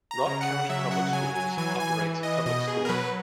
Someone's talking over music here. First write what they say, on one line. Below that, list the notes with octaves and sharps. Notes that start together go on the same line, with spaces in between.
Rock County Public Schools operates public schools.
A#5
C#3
F#5
F#3 E5
F#5
F#3 G#5
G#5
E3 G#5
G#5
E3
D#5
B2 D#5
G#4
A#4
F#3 B4